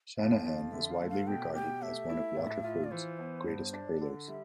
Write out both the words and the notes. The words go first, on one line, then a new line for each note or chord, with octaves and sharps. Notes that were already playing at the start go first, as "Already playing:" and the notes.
Shanahan is widely regarded as one of Waterford's greatest hurlers.
F2 F5
F2 F5
D3 E5
F5
A3
F5
B2 G5
G4 G5
A3 E5
E4
A2
F4
D5
E3 C5
B3
G2
D4
D3
G3 E5